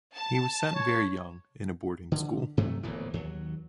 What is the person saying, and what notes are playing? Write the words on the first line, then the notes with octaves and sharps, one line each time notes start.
He was sent very young in a boarding school.
A5
C#5
D3
G2 C3 F#3 A3
D1 E2 A#2 E3
D#2 F#3